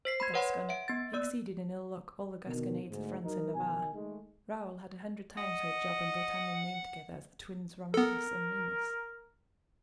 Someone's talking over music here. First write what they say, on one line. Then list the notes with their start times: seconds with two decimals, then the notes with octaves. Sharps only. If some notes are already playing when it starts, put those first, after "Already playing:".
A Gascon, he exceeded in ill-luck all the gasconnades of France and Navarre; Raoul had a hundred times heard Job and D'Artagnan named together, as the twins Romulus and Remus.
0.05 C5 B6 C7
0.20 B5 C6 G#6
0.34 B4 C#5 F#5 B5 C6
0.69 E5 F#5 D7
0.88 B3 A6
1.13 A#3 D5 E6
2.45 B2 D3 D#3
2.89 D2 G#2
3.24 F#3 D#4 A#4
3.54 B1 D#3 G#5
3.94 D#3 G#3 A3
5.37 D#5 F#5
7.94 B3 A4 A#4